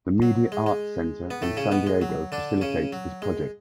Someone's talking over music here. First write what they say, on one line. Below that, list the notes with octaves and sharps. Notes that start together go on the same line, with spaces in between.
The Media Arts Center in San Diego facilitates this project.
F#3
G#3
G#3
B3
A2 A3
C#3 C#4
B2 B3
G#3
F#3
D3 D4
C#3 C#4
F#3
G#3